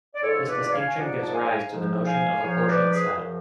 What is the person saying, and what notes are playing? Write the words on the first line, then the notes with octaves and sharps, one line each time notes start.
This distinction gives rise to the notion of a quotient set.
D5
G#2 F3 A4 C#5
B4 D5
D5
C#5 F5
G#5
G#2 F3 D5 F#5
A5
F5 G#5
G#2 F3
F5 G#5
G#2 F3 C#5 F5
B4 D5
G#4 B4
F#2 C#3 F3